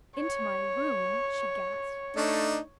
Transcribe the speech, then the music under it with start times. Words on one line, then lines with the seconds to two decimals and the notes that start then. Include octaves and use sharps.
"Into my room?" she gasped.
0.17 C#5
2.16 A3 D4 D#4